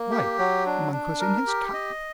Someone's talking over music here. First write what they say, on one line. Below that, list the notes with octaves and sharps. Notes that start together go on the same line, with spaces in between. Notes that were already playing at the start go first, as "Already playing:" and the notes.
"Why, Monk was in his camp."
Already playing: A#3
G4
F#3
D4
D4
A#4
G4
D#5